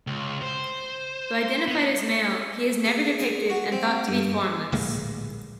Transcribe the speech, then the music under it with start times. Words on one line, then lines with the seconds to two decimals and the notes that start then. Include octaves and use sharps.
Though identified as male, he is never depicted, and thought to be formless.
0.07 C#2
0.42 C5
1.68 B3
2.86 G#4
3.20 G#4
3.50 F#4
3.72 C4
4.08 G2
4.72 D1 A#1 G#3 A#3